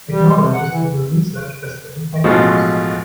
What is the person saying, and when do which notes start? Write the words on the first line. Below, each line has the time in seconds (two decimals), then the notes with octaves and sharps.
Technologies can be researched by spending tech points.
0.09 G3
0.35 C3
0.53 F#5
0.69 E3
2.24 A1 B2 F3 G#3 F#4